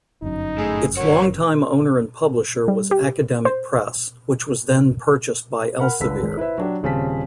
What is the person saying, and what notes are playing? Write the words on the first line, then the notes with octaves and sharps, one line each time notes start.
Its longtime owner and publisher was Academic Press, which was then purchased by Elsevier.
G1 F#2 D#4
A2 A3 G#4
D4 F#4 A#4 C#5
G3
G4
C5
A#4 F#5 B5 F6
G1 C#2 D3 B4 E6 B6
G#1 G#3
E4 B4 C5 E5
F#3 D4 G4
D#1 C#3 C4 A5 B6